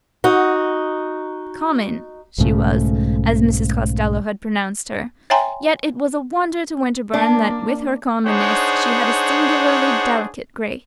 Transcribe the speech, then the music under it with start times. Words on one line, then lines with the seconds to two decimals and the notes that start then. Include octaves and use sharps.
"Common," she was, as Mrs. Costello had pronounced her; yet it was a wonder to Winterbourne that, with her commonness, she had a singularly delicate grace.
0.24 D#4 F#4
2.38 B1 G#2 C#3 A3
5.30 C#5 E5 G5 G#5 A#5 C6
7.14 A#3 D4
8.27 D4 D#4 G#4 C5 C#5 F#5